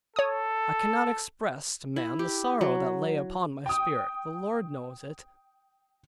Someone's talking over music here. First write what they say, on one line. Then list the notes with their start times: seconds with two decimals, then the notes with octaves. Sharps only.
I cannot express to man the sorrow that lay upon my spirit; the Lord knows it.
0.16 A4 C#5 D#6
1.96 E4
2.19 G4
2.61 F#3
3.66 G5 D#6